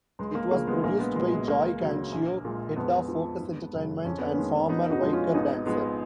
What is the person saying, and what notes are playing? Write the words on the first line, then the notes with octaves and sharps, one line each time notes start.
It was produced by Joy Cancio, head of Focus Entertainment and former Vicor dancer.
C#2 G#3
A#3
C#3 F3 G#3 A#3
G#3 B3
A#1 A#3
G#3 B3
A#2 F#3 G#3
G#3
C#2 A#3
C#3 F#3
A#1
A#2 G#3
F2 G#3 B3
F3 G#3
G#1
F#2 C#3
F2 C#4
B3
A#3 C#4
D#3 G#3
F1 B3 D#4
D#4 F#4
F2 F3 G#3
C#4 F4
G#1 B3 D#4
G#2 F3 G#3 B3